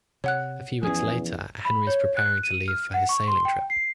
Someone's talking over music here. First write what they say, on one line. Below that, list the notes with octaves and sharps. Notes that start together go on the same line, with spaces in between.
A few weeks later, Henry is preparing to leave for his sailing trip.
C3 C#5 F#5 F#6
E2 F3 C#4 G#4
B5
C#5
F#6
D#7
F6
F#5
C#6
C6
G5
C7